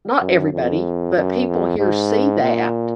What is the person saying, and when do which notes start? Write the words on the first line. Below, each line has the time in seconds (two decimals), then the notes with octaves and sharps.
not everybody, but people here see that
0.22 F#2
0.53 F2
1.16 F#2
1.48 F2
1.79 G#2
2.41 A#2